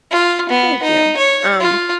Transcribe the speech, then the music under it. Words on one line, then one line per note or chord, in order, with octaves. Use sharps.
Mm, thank you. Um,
F4
B3
D#4
C#5
F4